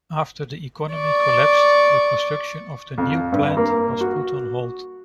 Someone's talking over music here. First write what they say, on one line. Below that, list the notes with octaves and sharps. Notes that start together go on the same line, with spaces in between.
After the economy collapsed the construction of the new plant was put on hold.
D5 C#6
F2
G2
A#3
F#4